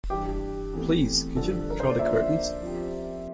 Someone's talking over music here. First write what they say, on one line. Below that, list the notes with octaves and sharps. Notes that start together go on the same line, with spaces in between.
Please could you draw the curtains?
G2 E3 G3 G4
E2 C3 E3 A3
G2 D3 F3 A4
A#4
C5
D5
F3 A#3 D4 E5
F3 C4 G4